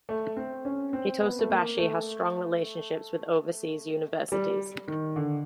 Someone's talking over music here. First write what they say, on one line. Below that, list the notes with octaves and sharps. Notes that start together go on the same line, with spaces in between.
Hitotsubashi has strong relationships with overseas universities.
A3
C4
C#4
C4
B3
A3
A#3
A3
G3
D#3
D3